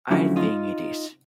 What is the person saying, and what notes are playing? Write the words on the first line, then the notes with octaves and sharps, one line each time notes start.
I think it is.
F#2 D3 F3 A3 C#4 E4 F#4
D#4 F4